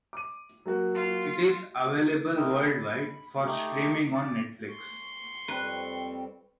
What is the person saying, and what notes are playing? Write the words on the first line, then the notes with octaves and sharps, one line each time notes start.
It is available worldwide for streaming on Netflix.
D6 D#7
F#3 A#3 F#4
F4
E4 A#4 D#5 G5
B5
A3 D#4 G4
D5
C6 C#6
F2 G3 C4 B4